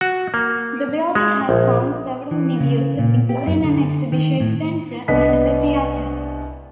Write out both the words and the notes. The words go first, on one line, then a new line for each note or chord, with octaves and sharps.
The building has found several new uses, including an exhibition centre and a theater.
F#4
A#3
G#3
A#1
E3
C#3
A#2
G4
F#2
D3
D#3
A2
C2 B3 D4 D#5 B6